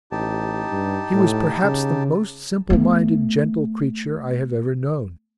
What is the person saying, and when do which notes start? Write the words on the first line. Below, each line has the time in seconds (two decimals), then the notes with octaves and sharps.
He was perhaps the most simple-minded, gentle creature I have ever known.
0.12 A1 D#4 G4 A5
0.72 G2
1.13 A2
1.64 C#3
2.70 A3 B3